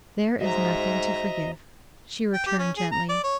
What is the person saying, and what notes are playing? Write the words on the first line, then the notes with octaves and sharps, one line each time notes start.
"There is nothing to forgive," she returned gently.
G#2 F#4 C5 D#5 E5 A#5
G5
G4
C#4
G#4
A#5
D5
C#5